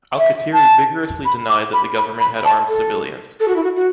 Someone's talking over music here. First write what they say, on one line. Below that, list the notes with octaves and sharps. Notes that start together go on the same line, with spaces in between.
Alkatiri vigorously denied that the government had armed civilians.
E5
A5
B5
D6
B5
B5
B5
A5
A4
A4
F#4
E4
F#4
F#4